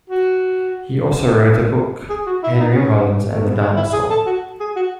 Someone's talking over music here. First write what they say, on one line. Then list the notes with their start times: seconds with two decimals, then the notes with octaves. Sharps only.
He also wrote a book, "Henry Hollins and the Dinosaur".
0.10 F#4
2.09 G#4
2.27 F#4
2.43 E4
2.60 D#4
2.71 B3
2.77 C#4
3.33 A3
3.43 B3
3.60 G#3
3.76 E4
3.93 G#4
4.10 A4
4.26 F#4
4.60 G#4
4.76 F#4